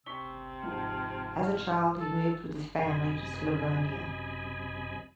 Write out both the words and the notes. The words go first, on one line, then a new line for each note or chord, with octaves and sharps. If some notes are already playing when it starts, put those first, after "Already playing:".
As a child, he moved with his family to Slavonia.
C3 C#6 E6 B6 G7
G#2 F3 A5 F6
A4
F#2 C3 D#5 G#5 B5